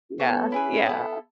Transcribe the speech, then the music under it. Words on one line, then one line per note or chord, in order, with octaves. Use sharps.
Yeah, yeah.
B3 F#4 A4 C#5
C#4 E4 G#4 B4
B3 E4 A4